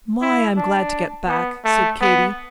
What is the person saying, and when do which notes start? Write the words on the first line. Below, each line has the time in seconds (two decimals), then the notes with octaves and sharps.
"My! I'm glad to get back," said Katy.
0.21 E4
0.56 D4
1.28 B3
1.64 A3
2.01 B3